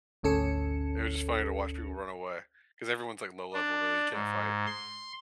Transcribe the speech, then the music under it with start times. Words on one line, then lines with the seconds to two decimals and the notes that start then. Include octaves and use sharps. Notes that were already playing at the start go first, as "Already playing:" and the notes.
it was just funny to watch people run away 'cause everyone's, like, low level, really, you can't fight,
0.23 G#1 D2 C#4 A4 C#7
3.53 D4
4.12 G#2
4.66 C6